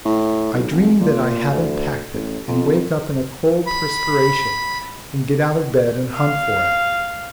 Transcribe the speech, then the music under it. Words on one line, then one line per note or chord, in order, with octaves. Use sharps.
I dream that I haven't packed it, and wake up in a cold perspiration, and get out of bed and hunt for it.
A2
B1
F1
A#2
D2
A1
F2
B5
F5